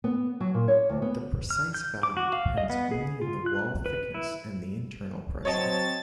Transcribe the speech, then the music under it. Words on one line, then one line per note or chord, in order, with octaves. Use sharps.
The precise value depends only on the wall thickness and the internal pressure.
B3
F#3
A#2
C#5
D2
B3
F6
G6
D6
F#4
F5
D#5
B3
G#4
F4
F#6
B4
E4
F#3 C4 C#5 D#5 A5 A6